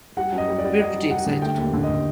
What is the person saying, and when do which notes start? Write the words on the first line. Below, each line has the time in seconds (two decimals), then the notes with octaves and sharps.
We're pretty excited.
0.17 G3 F#5
0.32 F#2
0.38 D#5
0.48 G3
0.59 D5
0.64 G3
0.80 G3 D#5
0.95 G3
1.11 G3 F#5
1.26 D3
1.42 A3 G5
1.57 D#2
1.73 D3
1.84 D#5
1.89 D3